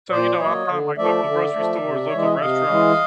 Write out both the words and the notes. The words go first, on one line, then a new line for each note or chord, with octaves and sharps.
so, you know, I find, like, local grocery stores, local restaurants,
A#2 C5 D5
F#3 A#3 C#5 D#5
D3
F3 A3 D5 E5
D3
F3 A3
C3
C#5
E3 G#3 D5
D#5
E5
C3 D#5 F5
E3 G#3